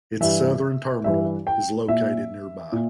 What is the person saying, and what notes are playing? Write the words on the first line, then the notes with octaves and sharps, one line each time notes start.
Its southern terminal is located nearby.
G2 E3 E5
G2 E3 E5
G5
A#2 E5
A#2